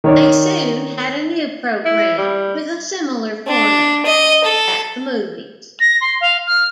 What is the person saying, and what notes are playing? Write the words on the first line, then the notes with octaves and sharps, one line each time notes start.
They soon had a new program with a similar format, "At the Movies".
D#3 C#5 D5
E4
G3
D4
D#5
A4
A#6
C6
F5
F6